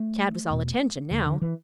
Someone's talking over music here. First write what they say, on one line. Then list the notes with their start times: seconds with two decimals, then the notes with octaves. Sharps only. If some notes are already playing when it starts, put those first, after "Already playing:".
Tad was all attention now.
Already playing: A3
0.50 E2 B2
1.10 E2 E3
1.14 D3
1.26 D3
1.42 E3